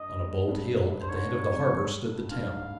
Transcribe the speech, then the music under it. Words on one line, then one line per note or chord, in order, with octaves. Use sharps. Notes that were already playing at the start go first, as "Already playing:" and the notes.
On a bold hill at the head of the harbour stood the town.
Already playing: G2 D#5
G2
C5
G#2 C#5
G2
F2
G2
G2 F5
G#2